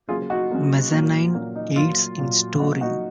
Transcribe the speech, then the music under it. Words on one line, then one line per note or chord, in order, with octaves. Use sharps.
Mezzanine aids in storing.
C#3 F#3 A#3 F4 G#4
D#4 F#4
C#3 F#3 A#3
A#2 F#3 A#3
A#2 F#3 A#3
D#4
A#2 F#3 A#3 F4
A#2 F#3 A#3
C#3 F#3 A#3 D#4 F#4
D#4 F#4